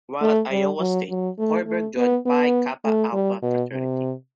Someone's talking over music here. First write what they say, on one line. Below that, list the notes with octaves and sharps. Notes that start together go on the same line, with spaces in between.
While at Iowa State, Hoiberg joined Pi Kappa Alpha fraternity.
A3
G3
F#3
F#3
A3
A3
B3
B3
A3
G3
B2
C3